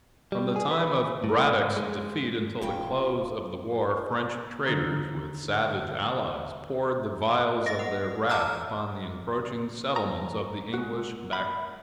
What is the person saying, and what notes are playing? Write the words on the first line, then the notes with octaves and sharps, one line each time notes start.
From the time of Braddock's defeat until the close of the war, French traders, with savage allies, poured the vials of their wrath upon the encroaching settlements of the English backwoodsmen.
G3
G#4
B4
A2
G#2
G#3
D#1 D#2 C#3 F4 G5
D3 A#5
D#5 A#6
F#5
A5 A#5 D6 E6 F6
A#5
G#3 F#4
B5